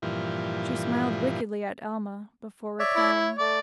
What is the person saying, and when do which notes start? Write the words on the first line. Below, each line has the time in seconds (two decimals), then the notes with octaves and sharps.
She smiled wickedly at Alma before replying.
0.02 G2 A#2 E3 F3
2.79 C#5 D5 E5
2.96 E4
3.17 C#5
3.39 A3 D5